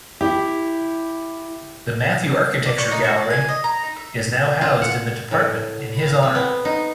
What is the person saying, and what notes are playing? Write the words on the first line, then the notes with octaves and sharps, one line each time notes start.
The Matthew Architecture Gallery is now housed in the Department in his honour.
E4 G4
D5
C#6
D#4
F#4
D5
G#5
D#5
A#5
D#4
E5
F4
F#5
A2
F5
C4
B3
D#4